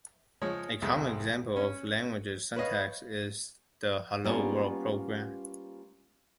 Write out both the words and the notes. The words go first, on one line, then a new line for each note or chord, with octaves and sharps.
A common example of a language's syntax is the Hello world program.
F3 G#3 C#5
C2 F2 G#3
C#4
B4 C#5 D#5 F5
G3 A#3 B3 C#4 F4